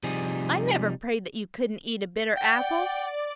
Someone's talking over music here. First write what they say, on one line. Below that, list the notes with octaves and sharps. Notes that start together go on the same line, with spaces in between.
I never prayed that you couldn't eat a bitter apple.
C3 F3 G3 D#4 G#4
D5 F#5 G5